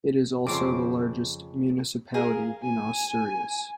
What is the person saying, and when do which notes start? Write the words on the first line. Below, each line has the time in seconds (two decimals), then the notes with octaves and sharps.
It is also the largest municipality in Asturias.
0.47 F2 C#3 C5 D6
2.14 G#4 A#4 F5
2.62 G#5